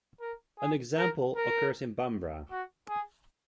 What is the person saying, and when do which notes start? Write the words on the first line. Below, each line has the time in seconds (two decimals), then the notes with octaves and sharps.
An example occurs in Bambara.
0.21 A#4
0.59 G#4
0.97 A#4
1.36 A#4
2.51 F#4
2.89 G#4